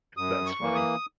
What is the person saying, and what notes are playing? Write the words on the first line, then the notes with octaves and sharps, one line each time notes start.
That's funny.
F#2 D#6
C#6
E3 A#3
D#6